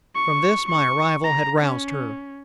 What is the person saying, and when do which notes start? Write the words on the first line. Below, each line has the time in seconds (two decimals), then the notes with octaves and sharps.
From this my arrival had roused her.
0.15 C#6
0.69 C#6
1.24 A#5
1.61 C#4